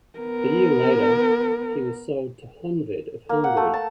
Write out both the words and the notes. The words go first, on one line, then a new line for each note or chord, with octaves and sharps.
A year later, he was sold to Honved of Hungary.
B3 A#4
A#3
F#5
A3
A5